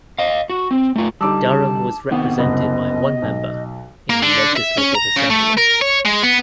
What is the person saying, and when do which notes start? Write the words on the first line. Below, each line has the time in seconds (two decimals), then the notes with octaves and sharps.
Durham was represented by one member in the Legislative Assembly.
0.18 D#5 F5
0.50 F#4
0.71 C4
0.96 A3 F4
1.21 D3 G3 D#4 A5 D6 E6
2.11 C3 D#3 B3 C4 F#5
2.38 F#1 C2 D#5
3.22 B1
4.10 A#3
4.23 D3
4.56 E5
4.77 C#4
4.95 A#5
5.16 C#3
5.30 A3
5.57 A#4
5.81 C#5
6.06 G#3
6.23 B3